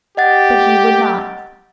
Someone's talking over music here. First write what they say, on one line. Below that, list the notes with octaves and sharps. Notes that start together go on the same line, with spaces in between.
But he would not.
G4 D#5 F#5 A6